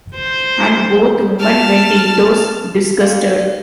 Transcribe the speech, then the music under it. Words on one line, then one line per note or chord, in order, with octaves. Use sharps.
And both women went indoors disgusted.
C5
A5 F6
G4 F5
D5